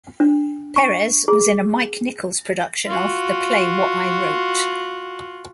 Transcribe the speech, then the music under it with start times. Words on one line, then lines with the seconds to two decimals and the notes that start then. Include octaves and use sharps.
Perez was in a Mike Nichols production of "The Play What I Wrote".
0.20 D4
0.76 C#6
1.28 G#4
2.87 F4 F#4